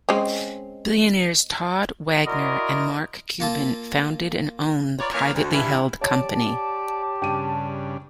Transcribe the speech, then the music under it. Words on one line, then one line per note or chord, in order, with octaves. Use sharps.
Billionaires Todd Wagner and Mark Cuban founded and own the privately held company.
G#3 C4 C#4
E4 F#4 A#4 D5 D#5 C6
A#3 F4 A4
F4 A#4 B4 C#5 D5
E3 A#3 B4 C#5 D5 F5
D2
G2 E3 E4
G4 C#5 D5 A5
G2 C#3 D4 G5 D#7